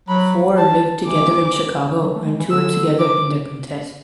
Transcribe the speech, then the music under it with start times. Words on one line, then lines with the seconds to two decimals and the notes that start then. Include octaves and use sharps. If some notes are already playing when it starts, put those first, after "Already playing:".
The four lived together in Chicago and toured together in their quintet.
0.08 F#3 B5
0.58 A5
1.05 E3 D6
2.02 F#3
2.15 A3
2.26 G#3
2.39 E3
2.51 D3 E6
2.99 D6